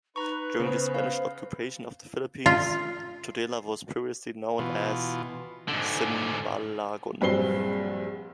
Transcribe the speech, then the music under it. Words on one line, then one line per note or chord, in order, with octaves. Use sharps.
During the Spanish occupation of the Philippines, Tudela was previously known as Simbalagon.
D#4 B4 A#5 C#6
C#3 B3 C5
F5
F4
B2 E3 F4
G#2 D3
A#1 G2 F#3 C4 C7 G7